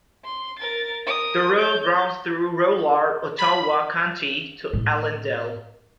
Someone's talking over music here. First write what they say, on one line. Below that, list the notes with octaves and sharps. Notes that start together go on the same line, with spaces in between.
The road runs through rural Ottawa County to Allendale.
C6
A#4 A6
A#4 D#6
C#5 G6
B5
A2 E4